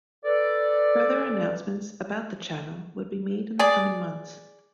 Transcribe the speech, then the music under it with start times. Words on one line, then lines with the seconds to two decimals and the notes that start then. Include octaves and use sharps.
Further announcements about the channel would be made in the coming months.
0.25 A4 B4 D5
3.59 G#4 D5